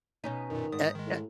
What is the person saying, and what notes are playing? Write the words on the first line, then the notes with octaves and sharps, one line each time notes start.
A a
B2 C#4 D#4
F#2 A#2 D#3
G#2 D#6
D#3 G#3
A2